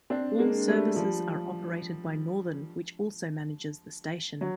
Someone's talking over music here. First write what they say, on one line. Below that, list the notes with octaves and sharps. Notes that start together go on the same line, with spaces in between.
All services are operated by Northern, which also manages the station.
C4 D4
G#3 A#3
G3 A3
F3 G3
F#3